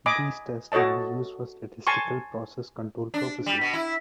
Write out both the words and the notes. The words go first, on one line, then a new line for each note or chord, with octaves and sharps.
These tests can be used for statistical process control purposes.
D#5 G#5 B5 D6
F#4 A4 C#5 D#5 A5
G#5 A5 C6 C#6
D4
G3
B2
E4